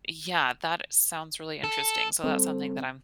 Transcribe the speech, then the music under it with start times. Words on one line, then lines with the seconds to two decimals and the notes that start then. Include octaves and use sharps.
Yeah. That sounds really interesting, so that's something that I'm
1.64 A4
2.24 G3 C4 A4 C5